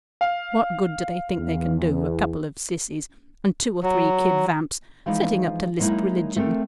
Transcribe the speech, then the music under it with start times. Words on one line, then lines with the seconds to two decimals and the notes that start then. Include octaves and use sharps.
What good do they think they can do, a couple of sissies, and two or three kid vamps, setting up to lisp religion?
0.21 F5
1.36 E2
3.83 F#3
5.06 E3 F3 G#3 D#4 D#5
5.79 F#3 G#3 A#3 D#4 E4
6.36 A3 C4 A4 A#4